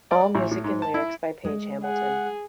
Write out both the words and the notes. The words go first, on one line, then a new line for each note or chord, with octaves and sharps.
All music and lyrics by Page Hamilton.
D5
A1
A2
G#2
A5
E4
G#3
G#4 F#5